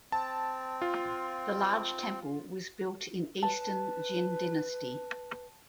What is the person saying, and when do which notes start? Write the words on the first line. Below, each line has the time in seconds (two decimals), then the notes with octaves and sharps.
The large temple was built in Eastern Jin Dynasty.
0.12 C4 A5
0.82 F4
3.42 B4 A5